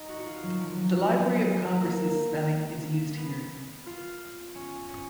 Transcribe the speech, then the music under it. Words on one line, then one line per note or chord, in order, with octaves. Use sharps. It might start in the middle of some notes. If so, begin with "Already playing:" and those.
The Library of Congress's spelling is used here.
Already playing: D#4
F#4
F#4
F4
F#3
F3
F#3
F#3
G#3
A#3
B3
F4
C#4
C#4